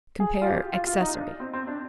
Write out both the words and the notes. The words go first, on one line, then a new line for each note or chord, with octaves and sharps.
Compare ACCESSORY.
G#4
F4
G4
F4
F4
D#4
D4
C4
C4
D4